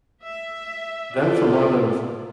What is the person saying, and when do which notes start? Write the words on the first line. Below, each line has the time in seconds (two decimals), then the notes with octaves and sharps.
that's a lot of
0.24 E5
1.16 E4 F4 G#4 A4 D5